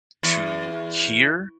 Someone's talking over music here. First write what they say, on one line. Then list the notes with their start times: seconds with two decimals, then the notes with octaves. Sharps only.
to hear
0.23 E2